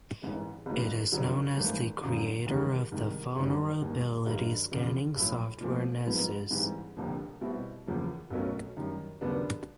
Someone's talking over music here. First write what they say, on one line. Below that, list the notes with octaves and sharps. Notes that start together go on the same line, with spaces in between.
It is known as the creator of the vulnerability scanning software Nessus.
A1 G#2 E3 G#3
G1 G2 D#3 F#3 A#3
F#1 F2 D3 F#3
G#1 G2 E3 A3
G#1 F#2 D3
F1 E2 C3 D#3 G3
C2 C3 D#3 G#3
F#1 F#2 D#3 G3
E1 D#2 D#3 G3 A#3
G1 G2 D#3 F#3
E2 C#3 F3
B1 A2 F3
A#2 F3 A3 C4
G#2 F3 G#3 B3
G#2 E3 G3 C4
F1 F2 D3 F3 A#3
B2 G3 C4 E4
E2 C#3 F3 A#3
B1 B2 F#3 A3 C#4
F#2 D#3 G3
D#2 C#3 F#3 B3 D4